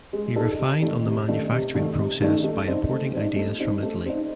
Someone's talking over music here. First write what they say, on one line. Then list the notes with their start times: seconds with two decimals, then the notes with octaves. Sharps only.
He refined on the manufacturing process by importing ideas from Italy.
0.13 G#3
0.36 D#4 A4
0.59 C3
0.82 D#3 A3 D#4
1.05 C3
1.28 D#3 A3 D#4
1.51 C3
1.74 D#3 A3 D#4
1.98 C3
2.21 D#3 A3 D#4
2.44 A3
2.67 C4 D#4
2.90 A3
3.13 C4 D#4
3.36 A3
3.59 C4 D#4
3.83 A3
4.06 C4 D#4